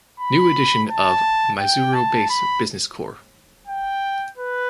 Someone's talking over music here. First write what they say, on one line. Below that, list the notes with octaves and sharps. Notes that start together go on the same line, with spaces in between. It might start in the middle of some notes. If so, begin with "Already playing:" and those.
New edition of Maizuru Base Business Corps.
B5
A5
G5
A5
B5
G5
B4